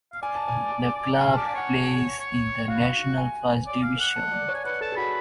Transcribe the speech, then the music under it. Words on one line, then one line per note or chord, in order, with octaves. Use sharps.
The club plays in the National First Division.
F5
D5 G#5
A5
G#5
G#5
F#5
F5 G#5
D5 A5
D5 G#5
C#5 F#5
C#5
F#4 F5
G#5
D5
F5
F#5
A5
D5
C#5
G#5
B4 F#5
A4 A5
G#4
F#4 B5